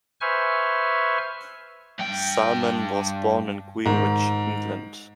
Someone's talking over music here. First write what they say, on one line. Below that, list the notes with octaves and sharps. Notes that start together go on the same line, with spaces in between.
Sulman was born in Greenwich, England.
B4 C5 E5 G#5 C#6 F6
G2 G5
G#2 D#3